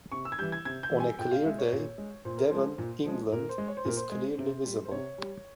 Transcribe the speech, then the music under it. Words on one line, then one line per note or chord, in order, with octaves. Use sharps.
On a clear day, Devon, England, is clearly visible.
C3 C#6
E6
G#6
E3 G3 G6
G#6
C3 G#6
G6
E3 G3
G#5
A#2 G5
F5
G#3 E5
C#5
A#2
G#3
A#2 C5
A#4
F3 G#3 C5
A#2
F3 G#3
A#2 A#4
C5
G#3
C#5
C5
A#2 A#4
C5
G#3
C3
G3
C5
C3 C#5
G3